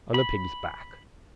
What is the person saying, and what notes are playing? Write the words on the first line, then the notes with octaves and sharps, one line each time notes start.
On the pig's back.
B5